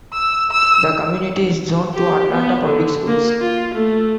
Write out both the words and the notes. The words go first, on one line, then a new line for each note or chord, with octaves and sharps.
The community is zoned to Atlanta Public Schools.
E6
E6
G4
B3
D3
A#3
F4
A3